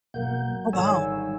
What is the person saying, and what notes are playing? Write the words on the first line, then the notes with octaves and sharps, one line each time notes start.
Oh, wow.
B2 F#3 A#3 A#4 F#5 G6
G#1 D3 G3 C#5 G#5 E6